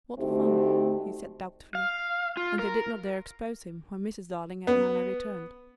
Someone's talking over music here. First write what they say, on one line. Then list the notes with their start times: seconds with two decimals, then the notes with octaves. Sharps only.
"What fun!" he said doubtfully, and they did not dare expose him when Mrs. Darling and Nana returned.
0.18 D2 A3 C4 D#4 G4
1.75 F5
2.37 F4
2.59 A#4
4.67 B3